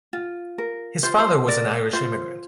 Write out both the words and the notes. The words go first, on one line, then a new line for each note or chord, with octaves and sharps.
His father was an Irish immigrant.
F4
A#4
F4 C5
C5
A#4 D5
F4 C5